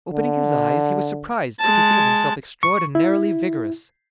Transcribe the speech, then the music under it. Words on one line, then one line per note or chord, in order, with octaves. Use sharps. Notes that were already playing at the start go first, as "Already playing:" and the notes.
Opening his eyes, he was surprised to feel himself extraordinarily vigorous.
D3
G#3 A5
C#6
E4